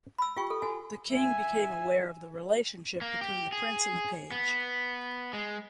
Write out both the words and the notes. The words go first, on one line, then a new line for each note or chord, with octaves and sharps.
The king became aware of the relationship between the prince and the page.
B5 E6
F4 G4 G5 C#6
A4
F#4 A4 G#5
E5 G#5
A#3
G4
G#4
B3
G#3